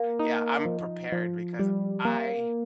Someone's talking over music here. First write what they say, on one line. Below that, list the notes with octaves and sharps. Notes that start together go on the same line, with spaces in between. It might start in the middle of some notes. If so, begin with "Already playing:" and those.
Yeah, I'm prepared because I
Already playing: A#3
D#4
F3
F3
G3
A#3